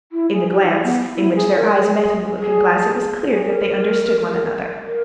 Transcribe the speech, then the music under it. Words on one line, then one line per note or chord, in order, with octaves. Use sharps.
In the glance, in which their eyes met in the looking-glass, it was clear that they understood one another.
E4
G#4
G4
D#4
E4
B3
E4
G#4
A#4
G#4
G#4
G#4
A#4
A#4